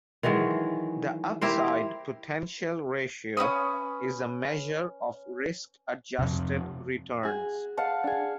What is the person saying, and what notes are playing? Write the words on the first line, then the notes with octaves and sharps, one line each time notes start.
The Upside-Potential Ratio is a measure of risk-adjusted returns.
D#3 E3 F#3 G#3
E4 G4 A#4 C5
C#4 E4 B4 D#6
F2 C3
F#4 G#4
F5 F#5 A5
D4 G#4